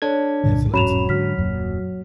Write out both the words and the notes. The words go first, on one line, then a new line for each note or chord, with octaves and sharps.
Yeah, so, li it's
D4 A4 C#5 G#6
C2 A#2 D3
E1 G#2 F#3 C#4 B5 E7 F7
G#2 D3 F#4 F6 B6
D#1 F#2 A#2